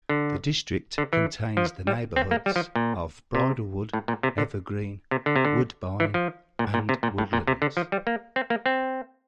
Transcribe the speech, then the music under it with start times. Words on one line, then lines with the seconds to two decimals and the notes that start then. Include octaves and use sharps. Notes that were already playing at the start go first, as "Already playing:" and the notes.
The district contains the neighbourhoods of Bridlewood, Evergreen, Woodbine, and Woodlands.
0.09 D3
0.98 D3
1.13 E3
1.57 F3
1.87 G3
2.16 C4
2.31 A#3
2.46 G3
2.56 F3
2.76 A#2
3.35 C3
3.93 A2
4.08 A#2
4.23 C3
4.38 D3
5.11 C3
5.26 D3
5.36 C3
5.45 D3
6.00 E3
6.14 F3
6.59 A#2
6.74 A#2
6.89 C3
7.03 A#2
7.18 A2
7.33 A#2
7.47 C3
7.62 D3
7.77 F3
7.92 G3
8.07 A#3
8.36 C4
8.50 A#3
8.66 C4